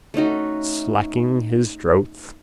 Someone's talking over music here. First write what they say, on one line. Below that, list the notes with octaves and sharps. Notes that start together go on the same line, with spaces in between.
Slaking his drouth.
A3 C#4 D#4 F#4